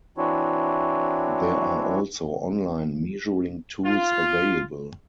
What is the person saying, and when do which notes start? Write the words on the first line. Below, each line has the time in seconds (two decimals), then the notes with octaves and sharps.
There are also online measuring tools available.
0.17 E3 C4 D4 E4 F#4 C#5
3.86 F4